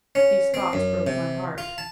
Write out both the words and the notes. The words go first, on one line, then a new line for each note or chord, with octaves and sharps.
These thoughts broke my heart.
C#4
C4
F#2
C3
F4
A5